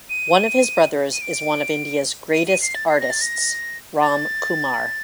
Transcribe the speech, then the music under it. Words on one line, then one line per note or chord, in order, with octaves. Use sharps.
One of his brothers is one of India's greatest artists Ram Kumar.
D#7
D#7
D7
D#7
D#7
C7
A6
C7
A#6
A6
A#6
A6